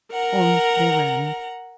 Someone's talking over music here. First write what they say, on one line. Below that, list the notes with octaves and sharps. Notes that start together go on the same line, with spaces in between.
On they ran.
A#4 F#5 A#5